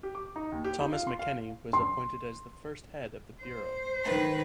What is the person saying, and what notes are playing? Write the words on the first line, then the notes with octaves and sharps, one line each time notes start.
Thomas McKenney was appointed as the first head of the bureau.
G4
D6
D#4
D#2
G4
D#4
F4
C6
F5
C6
C5
D#3 B4